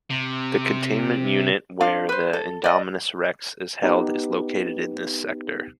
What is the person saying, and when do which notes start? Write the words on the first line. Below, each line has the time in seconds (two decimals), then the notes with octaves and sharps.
The containment unit where the "Indominus Rex" is held is located in this sector.
0.10 C3
1.81 D4 F4 F5
2.09 B4 C5
2.33 A4
2.64 D5 D#5
3.83 B3 D#4 G4 B4